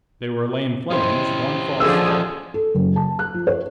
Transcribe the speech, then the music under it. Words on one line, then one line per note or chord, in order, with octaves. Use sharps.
They were Lane Fleming's one false step.
C#4 E4 G4 C5 D#5
D3 F3 G#4 E6
A4
F#1
A5
F#6
F3
C#5